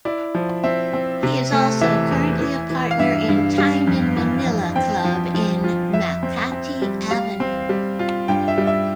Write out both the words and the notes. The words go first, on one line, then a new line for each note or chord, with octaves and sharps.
He is also currently a partner in "Time in Manila" club in Makati Avenue.
E4 D5
F3
C4 E5
C4
C3
A3
E3 E5
E2
E3
E3
F5
G2 E5
G2
G3 F5
F2
E3
F2
C4 G5
F3
F3
F4
F2 E5
C4
C4
G3
G3 F5
C4
G3
F4
G2 G5
E5
G3
E5